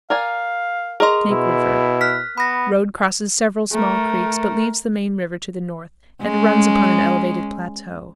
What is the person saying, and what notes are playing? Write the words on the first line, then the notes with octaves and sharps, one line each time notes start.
Snake River.--Road crosses several small creeks, but leaves the main river to the north, and runs upon an elevated plateau.
A#4 D5 F5 G#5
G#4 A#4 D#5 C6
B2 E4
F6 F#6 B6
B3 B5 A#6
A3 A#4
G#3 C#4